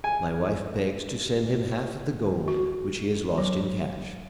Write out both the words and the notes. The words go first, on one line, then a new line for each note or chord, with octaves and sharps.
My wife begs to send him half of the gold which he has lost in cash.
G#5
F#4
F#3